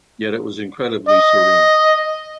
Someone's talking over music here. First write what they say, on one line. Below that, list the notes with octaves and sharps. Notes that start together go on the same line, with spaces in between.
Yet it was incredibly serene.
D#5